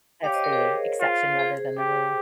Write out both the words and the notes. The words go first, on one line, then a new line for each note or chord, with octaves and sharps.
that's the exception rather than the rule.
G4 C#5 F5
C5 D#5
A#4 C#5
G#4 C5
F4
G#4 C5
G4